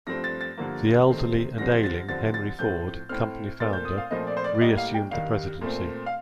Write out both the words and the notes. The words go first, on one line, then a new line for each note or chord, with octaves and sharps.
The elderly and ailing Henry Ford, company founder, re-assumed the presidency.
G2 F3 A3 C4 A#6
A6
A6
G2 D3 F3 A#3
C3 D#3 A3 C4
G2 D3 F3 C4 A#6
A6
G2 D3 F3 C4 A6
A6
A2 F3 A3 C4 G6
A2 A3 C4 F6
A#2 A3 C4 A6
G6
D#6
F5
A#2 F3 A3 C4 D#5
D5
C5
D5
D5
A2 G3 A#3 D#5
F5
G5
G2 D#3 G3 F5
A#2 A3 C4
F5